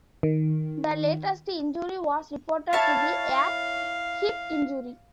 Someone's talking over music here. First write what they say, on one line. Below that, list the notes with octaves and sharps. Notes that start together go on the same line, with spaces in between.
The latest injury was reported to be a hip injury.
D#3
E4 C#5 F5 A5